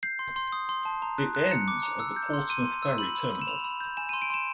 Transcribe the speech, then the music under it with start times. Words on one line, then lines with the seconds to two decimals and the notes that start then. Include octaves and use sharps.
It ends at the Portsmouth ferry terminal.
0.03 G6 C7
0.19 C6
0.36 C6
0.52 D#6
0.69 C6
0.85 A5
1.02 A#5
1.18 F#6
1.35 F#6
1.51 A#5 C#7
1.68 D6
1.83 A#5
2.00 E6
2.16 G6
2.33 C6
2.50 C6 D#7
2.65 C6
2.83 E6
2.98 B5 F#7
3.15 B5
3.31 B5
3.42 E7
3.48 B5 F7
3.64 B5
3.80 G6
3.97 G#5 E7
4.09 D#7
4.13 C6
4.22 D7
4.30 C6 E7